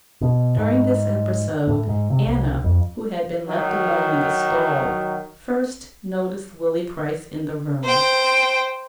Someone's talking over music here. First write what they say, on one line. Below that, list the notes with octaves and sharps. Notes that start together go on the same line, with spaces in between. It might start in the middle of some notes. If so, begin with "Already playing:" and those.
During this episode Anna, who had been left alone in the stall, first noticed Willie Price in the room.
B2
G#2
A2
G#2
C3
C2
F2
D#3 F#3
C5 G5